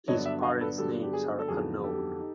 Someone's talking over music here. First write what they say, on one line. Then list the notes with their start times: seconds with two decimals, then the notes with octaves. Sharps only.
His parents names are unknown.
0.08 G2 D3 F#3 B3 D4 C#5 D#5
0.26 D5 E5
0.43 D#5 F5
0.61 A4 B4
0.78 G2 D3 F#3 B3 D4 G4 A4
1.03 G4
1.13 G#4
1.39 A4
1.48 F2 D3 F#3 B3 D#4 G#4
1.84 G4 A4
2.19 D#4